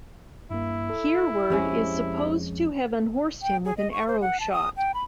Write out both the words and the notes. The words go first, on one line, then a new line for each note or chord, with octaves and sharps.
Hereward is supposed to have unhorsed him with an arrow shot.
G2 A#3 E4
A4
F2 G#3 C#4 G4 C5
G5
G#4
D#5
C#6
C5
F#5
A5
D#6
G5
B5